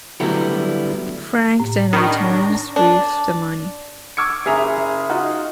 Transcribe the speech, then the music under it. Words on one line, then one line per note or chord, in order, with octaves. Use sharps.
Frank then returns with the money.
D3 F#3 G3 A3 B3 E4
A2
D#3 C#4 D4 A#5 B5 C#6
D4
C#6 D6 E6 G#6 C#7
F#1 G#4 E5 A#5 F7
D#4 F4 F#4